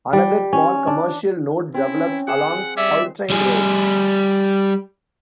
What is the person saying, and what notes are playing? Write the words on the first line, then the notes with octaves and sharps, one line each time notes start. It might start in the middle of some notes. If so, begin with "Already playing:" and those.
Another small commercial node developed along Haultain Road.
G3
C#4
D4
C4 C#4 E4
G#4 F#5 E6
G3 C#4 D5 E5
G3 G#4